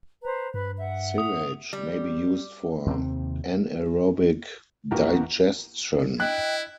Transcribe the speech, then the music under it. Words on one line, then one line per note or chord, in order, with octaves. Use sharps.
Silage may be used for anaerobic digestion.
B4 C5 A#5
G2 B4 B5
E5 F#5
D#6
G3
D#2 C3 C4
A#1 E3 A#3 F#4 G4 A#4
E4 D#5 G5 F#6